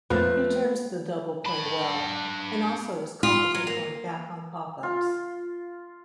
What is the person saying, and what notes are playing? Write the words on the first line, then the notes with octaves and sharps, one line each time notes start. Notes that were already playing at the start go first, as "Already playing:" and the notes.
He turns the double play well, and also is competent going back on pop-ups.
F2 F3 A3 A#3 F4 B4
D4 B5
F4
F#3
A#3
F4